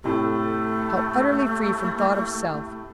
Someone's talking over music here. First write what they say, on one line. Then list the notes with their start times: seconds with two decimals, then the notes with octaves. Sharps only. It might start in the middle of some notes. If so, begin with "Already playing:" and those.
How utterly free from thought of self!
0.04 A2 C3 A3